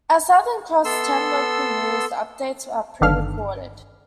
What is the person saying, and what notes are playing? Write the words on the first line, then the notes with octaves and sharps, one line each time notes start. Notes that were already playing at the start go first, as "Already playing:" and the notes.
As "Southern Cross Ten Local News", the updates are pre-recorded.
B3 A4 C6 E6
G1 D#3 D4 A4 F5 F6